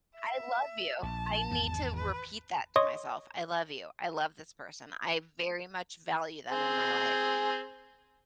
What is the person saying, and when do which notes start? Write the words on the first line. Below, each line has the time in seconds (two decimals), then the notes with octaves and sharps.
I love you." I need to repeat that to myself. "I love you. I love this person. I very much value them in my life,
0.16 E5
1.03 A#1 A5
1.51 G#1 E2 B3
1.96 B4
2.76 C#5 D#5 C6 C#6 D#6
6.52 C4 G#4